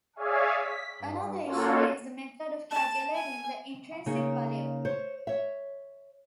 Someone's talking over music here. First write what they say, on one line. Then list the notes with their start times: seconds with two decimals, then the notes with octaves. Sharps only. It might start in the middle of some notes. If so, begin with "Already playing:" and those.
Another issue is the method of calculating the "intrinsic value".
0.16 G#4 C#5 D5 E5 F5 G#5
0.57 B6
0.99 G2
1.44 A#3 C#4 F4 F#4 A4 C#5
2.71 A5
3.15 G#5
4.06 C#3 A#3 D#4 C#5
4.85 C5 C#5
5.27 C#5 E5